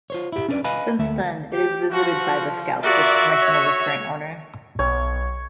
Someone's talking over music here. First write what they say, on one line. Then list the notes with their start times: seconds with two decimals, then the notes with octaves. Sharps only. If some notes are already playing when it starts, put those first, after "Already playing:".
Since then it is visited by scouts with permission of the current owner.
0.10 F4 C5 C#5
0.32 E4 G4
0.48 C#4 D4 G4 A#4 B4 D5
0.64 B4 D#5 F5 G#5 B5
0.99 D2 A3 E5
1.53 G4
1.90 F3 F#4
2.83 F4 F#4 A#4 D5 E5
3.42 C#5
4.79 B1 C#5